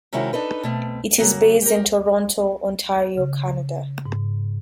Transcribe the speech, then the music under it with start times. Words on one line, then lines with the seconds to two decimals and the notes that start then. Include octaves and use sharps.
It is based in Toronto, Ontario, Canada.
0.13 C3 D#3 G#3 C#4 E4 F#4
0.33 D4 D#4 A4 B4
0.63 B2 A3 C4
1.18 C#3 F#3 A#3
1.62 G4 A#4
3.17 C#3
4.06 G#2